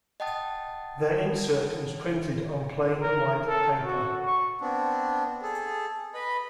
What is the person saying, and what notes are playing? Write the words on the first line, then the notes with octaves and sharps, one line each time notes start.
Their insert was printed on plain white paper.
D#5 F#5 G5 A5 D#6 A6
A#4
A4
F#4
C#6
B3 C4 D4
G#4 A4
B4 D#5 B5